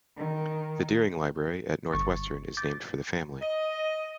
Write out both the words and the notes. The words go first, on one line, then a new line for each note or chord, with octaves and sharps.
The Deering Library at Northwestern is named for the family.
D#3
G1 C#6 A6
D6 G6 A6
D#5